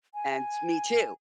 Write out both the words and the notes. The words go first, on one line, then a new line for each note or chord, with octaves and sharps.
and me too!
G#5